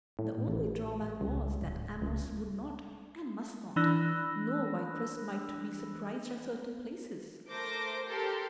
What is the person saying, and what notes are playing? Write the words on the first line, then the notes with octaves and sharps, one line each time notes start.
The only drawback was that Amos would not, and must not, know why Chris might be surprised at certain places.
A2
A1
C#2
D1
C#2
E3 D4 B5 E6 F#6 A#6
A3 A#4 C5 D6 G6 A#6
G4 A4 A#4 C6